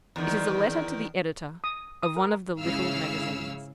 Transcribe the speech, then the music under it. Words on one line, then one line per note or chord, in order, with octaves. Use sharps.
It is a letter to the editor of one of the "Little Magazines."
E2 D#3
D#6
D#6
A#4
G#2 C#3 E4 F5 E6 F6